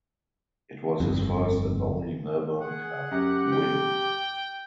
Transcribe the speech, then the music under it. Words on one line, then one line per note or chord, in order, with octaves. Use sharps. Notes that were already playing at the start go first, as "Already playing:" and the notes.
It was his first and only Melbourne Cup win.
G1 F2
G#4 F#5
F#2 G4
G5